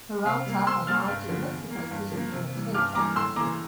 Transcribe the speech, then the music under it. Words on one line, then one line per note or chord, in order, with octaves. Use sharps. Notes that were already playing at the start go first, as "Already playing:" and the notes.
Peralta arrived in Mexico City in a tense atmosphere.
C3 F5
G3 A#3
C3 C6 E6
G3 A#3 F6 A6
G2
D3 F3
E2
E3 A#3
G2
F3 A#3
C3
E3 G3
G2 D6 F6
E3 G3 A#3 A#5 D6
A2 C6 E6
E3 A#3 A#5 D6